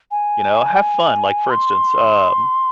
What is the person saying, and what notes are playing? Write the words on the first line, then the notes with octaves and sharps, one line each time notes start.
You know, have fun. Like, for instance, um,
G#5
C6